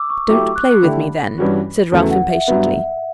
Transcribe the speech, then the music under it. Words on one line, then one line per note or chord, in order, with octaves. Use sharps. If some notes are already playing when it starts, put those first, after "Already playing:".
'Don't play with me then,' said Ralph impatiently.
Already playing: D6 E6
C#6
F#3 A3 E4 G4 D6
F#6
F#6
D3 A3 E4 G4 B5
G2 E3 G3 C#4 F#4
E2 C#3 F#3 A3
F#5
E5
G2 F#3 B3 E5